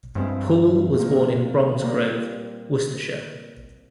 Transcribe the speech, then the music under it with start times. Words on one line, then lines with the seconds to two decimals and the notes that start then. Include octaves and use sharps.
Poole was born in Bromsgrove, Worcestershire.
0.15 G2 F3 G#3 C4 E4
0.99 A#2 F3 A#3
1.82 A#2 G3 A#3